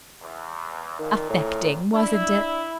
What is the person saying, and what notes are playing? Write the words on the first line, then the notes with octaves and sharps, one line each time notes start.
Affecting! wasn't it?
E2
F2 A#2 D#3
A2
D4 E4